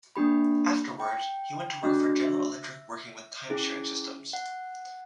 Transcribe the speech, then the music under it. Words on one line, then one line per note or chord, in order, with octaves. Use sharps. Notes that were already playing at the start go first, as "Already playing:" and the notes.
Afterwards, he went to work for General Electric working with time sharing systems.
A#3 D4 G4 B5
G5
A3 D4 F#4 D#5
E5
C#4 E4 G#4
F#5